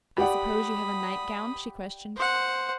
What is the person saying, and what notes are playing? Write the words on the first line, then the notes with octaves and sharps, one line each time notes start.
"I suppose you have a nightgown?" she questioned.
G4 D5 F#5 B5 D#6
C5 F#5